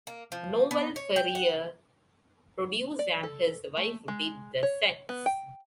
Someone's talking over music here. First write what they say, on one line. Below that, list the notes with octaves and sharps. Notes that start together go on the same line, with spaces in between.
Noel Ferrier produced and his wife did the sets.
A#3
F3
B3
C#5
G5
F#5
D5
A4
A3
G#3
C#5
B3
G5